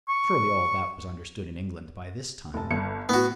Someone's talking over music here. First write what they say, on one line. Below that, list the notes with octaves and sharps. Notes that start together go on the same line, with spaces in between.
Surely all that was understood in England by this time.
C#6
F1 A5
G1 C#7
A2 B3 F#4